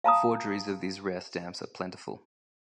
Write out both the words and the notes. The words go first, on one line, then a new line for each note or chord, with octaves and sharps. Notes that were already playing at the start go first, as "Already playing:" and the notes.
Forgeries of these rare stamps are plentiful.
F5 A5 A#5 D#6